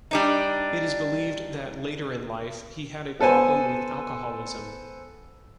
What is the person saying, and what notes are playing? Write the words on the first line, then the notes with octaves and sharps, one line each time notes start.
It is believed that later in life he had a problem with alcoholism.
G3 D4 D#4
B3 A4 B4 C5 G#5